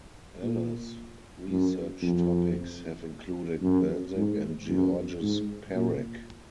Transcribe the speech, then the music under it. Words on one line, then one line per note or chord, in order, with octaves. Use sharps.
Bellos' research topics have included Balzac and Georges Perec.
A#2
F#2
F2
F#2
G#2
F#2
G#2
A#2